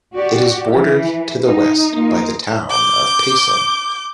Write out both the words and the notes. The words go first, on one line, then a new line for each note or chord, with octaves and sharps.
It is bordered to the west by the town of Payson.
F#4 G4 D5
E3
D#4
A#3 D#4 F4 A#4
D6 G6